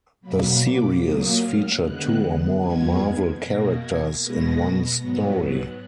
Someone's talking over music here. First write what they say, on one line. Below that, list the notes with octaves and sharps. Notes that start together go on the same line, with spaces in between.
The series featured two or more Marvel characters in one story.
B2 F#3 A#3 B5
D6
A#2 F#3 A#3 D#6
F6
D3 G#3 B3 F#6
F2 F3 G#3 B3 G#6
B2 A#3 A#6
G#6
B2 G#3 B3 A#6
G#2 F#3 B3
F#6